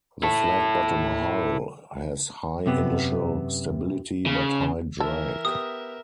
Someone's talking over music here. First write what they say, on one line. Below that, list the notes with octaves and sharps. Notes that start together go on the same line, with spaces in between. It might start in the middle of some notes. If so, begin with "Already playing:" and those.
The flat bottom hull has high initial stability but high drag.
E4 A4
F#2 C3 B3
C#3
E3 A4 A#4 E5
B3 G4 D#6